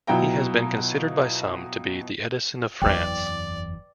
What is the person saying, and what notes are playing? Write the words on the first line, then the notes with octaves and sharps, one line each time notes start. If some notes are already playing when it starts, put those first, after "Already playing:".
He has been considered by some to be "the Edison of France".
B2 F#3 E4 F4 G5 A#5
F#1 E2 B4 D5 G5